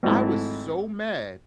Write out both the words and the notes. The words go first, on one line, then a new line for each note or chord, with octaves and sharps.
I was so mad.
G#1 G#2 F#3 A3 E4